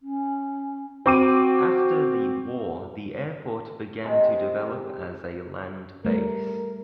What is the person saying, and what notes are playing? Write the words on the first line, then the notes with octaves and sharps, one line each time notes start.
After the war the airport began to develop as a land base.
C#4
C4 F#4 D6 D#7
C3 D#3 G#3
G3 A3 A#4